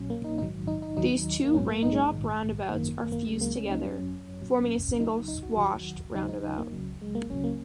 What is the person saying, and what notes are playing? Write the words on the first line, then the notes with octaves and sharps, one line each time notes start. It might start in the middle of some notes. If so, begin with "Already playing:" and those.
These two raindrop roundabouts are fused together, forming a single "squashed" roundabout.
Already playing: A#1 A#2 F#3 C#4
A#3
D#4
A#1 G#2 D#3 F#3 D#4
D#4
D#4
D#2 D#3 F#3 D#4
A#3
A#1 G#2 F#3 C#4
A#3
D#4
G#3
A#1 G#2 D#3
G#1 F#2 D#3 A#3
A#3
A#3
C#2 C#3 F#3 G#3
A#3
C#4
D#4
G#1 F#2 F#3 C#4
A#1 A#2 F#3
C#2 C#3 F#3 D#4
D#4
F#4
D#2 D#3 F#3 F#4
D#2 C#3 F#3 D#4
D#4
D#4
A#3
C#2 C#3 F#3
G#3
A#3
C#2 C#3 F#3 C#4
A#3